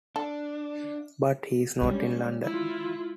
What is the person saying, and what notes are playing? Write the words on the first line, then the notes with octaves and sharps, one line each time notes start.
But he's not in London?
D4 A4
G3 G#3 C#4 D4
E4 F4